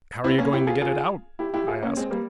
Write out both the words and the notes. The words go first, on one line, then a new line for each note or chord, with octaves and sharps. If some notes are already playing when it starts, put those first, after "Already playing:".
"How are you going to get it out?" I asked.
C4 E4
A#3 C#4
E4 G4
F4 G#4
F4 G#4
E4 G4
E4 G4
F4 G#4
A#3 C#4
G#3 C4
G3 A#3